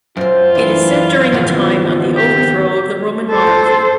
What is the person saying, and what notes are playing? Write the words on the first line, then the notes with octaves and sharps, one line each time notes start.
It is set during the time of the Overthrow of the Roman monarchy.
F#2 C4 F4 C5
E3 C4 D4
D#2 G#2 C#3 E3 F3 B3
G4
A4 C5